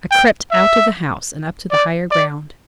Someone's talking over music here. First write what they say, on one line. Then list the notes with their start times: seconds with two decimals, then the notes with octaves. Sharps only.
I crept out of the house, and up to the higher ground.
0.11 G5
0.51 E5
1.71 D5
2.11 D5